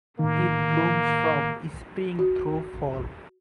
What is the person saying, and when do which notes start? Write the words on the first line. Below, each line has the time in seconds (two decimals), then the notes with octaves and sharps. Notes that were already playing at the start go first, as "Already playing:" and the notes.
It blooms from spring through fall.
0.19 A2 D#3 A#3
2.19 F#4